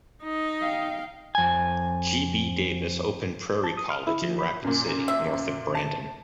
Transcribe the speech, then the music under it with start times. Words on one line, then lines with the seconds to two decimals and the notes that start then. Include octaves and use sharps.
G. B. Davis opened Prairie College in Rapid City, north of Brandon.
0.23 D#4
0.61 F5 G5
1.35 F2 G#5
3.64 A5
3.77 D#6
3.90 F6
4.07 E4
4.22 F3
4.39 B5
4.64 F#2 A#2
5.08 E5
5.75 A5